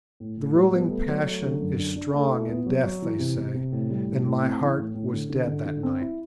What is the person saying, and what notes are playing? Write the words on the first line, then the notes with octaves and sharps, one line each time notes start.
The ruling passion is strong in death, they say, and my heart was dead that night.
A2
A2
G3
B3
A3
F#3
A3
D3
F#2
D4
D4
A3
E4
B3
F#3
F#3
E3
C3
C3
C3
A2
G3
A2
A2
C4
E3
A2
A2
D3
D3
D3
D3
C4
E4